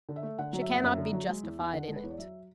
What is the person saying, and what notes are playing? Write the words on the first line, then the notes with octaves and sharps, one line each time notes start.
She cannot be justified in it.
D3
E5
A3
D3 F#5
F#3
E5
F#1
F#5
F#2 E5
D3
F#3
G#3
E2
E2
D3 F#5
G#3 A4
B4
E2 C#5
D5
F#3 E5